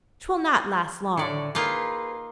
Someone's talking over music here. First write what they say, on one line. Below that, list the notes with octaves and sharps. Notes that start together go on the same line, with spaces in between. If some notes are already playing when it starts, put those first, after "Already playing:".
'Twill not last long.
A2 D3 D4 C#5 D5
A#3 D#4 F4 G#4 B4